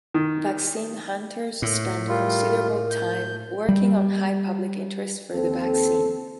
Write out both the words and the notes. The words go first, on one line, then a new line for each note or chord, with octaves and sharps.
Vaccine Hunters spent considerable time working on high public interest for the vaccine.
D#3
A2
G3 F4 A#4
G6
G3
D#2 C4 A4